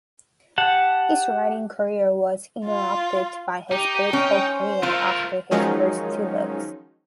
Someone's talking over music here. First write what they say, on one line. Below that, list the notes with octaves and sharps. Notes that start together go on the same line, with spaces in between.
His writing career was interrupted by his political career after his first two books.
G4 F#5 A5
F4
D#4 G4
C#4 G5
C5
A3 F4 A#4
D#3 F3 F#3 G#3 C#4 D#4